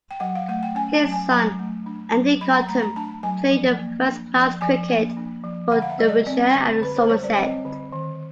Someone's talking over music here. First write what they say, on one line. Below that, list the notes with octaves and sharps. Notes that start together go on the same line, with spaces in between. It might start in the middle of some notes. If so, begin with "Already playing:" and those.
His son, Andy Cottam, played first-class cricket for Derbyshire and Somerset.
G5
F#3 F#5
F5
A3 F#5
G5
C#4 G#5
A5
F#3
G#5
F#3 A#5
A3
D4
F#3
F#3 B5
A#5
B5
A3 A#5
A#5
D4 A5
F#3 G#5
F3
A#3
D4
F3
F3 G#5
A#3
D4
F3
D3 F#5
F5
E5
G3 D#5
D5
C4 D5
D3
D3 B4
C5
G3 C#5
D5
C4 D#5
D3
D#3